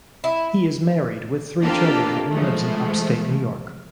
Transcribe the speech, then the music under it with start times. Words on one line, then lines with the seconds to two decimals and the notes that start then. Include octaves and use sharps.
He is married with three children and lives in upstate New York.
0.24 E4
1.60 A#3 C4 D4 F4 G4 A4
2.33 E3 F3 G#3 A3